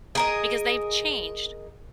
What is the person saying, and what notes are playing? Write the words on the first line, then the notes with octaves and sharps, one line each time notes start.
because they've changed
G#4 A#4 D#5